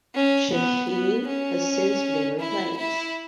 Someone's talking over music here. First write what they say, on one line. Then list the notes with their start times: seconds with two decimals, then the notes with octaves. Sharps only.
Sheheen has since been replaced.
0.14 C#4
0.52 B3
0.89 B3
1.27 C#4
2.39 E4
2.77 E4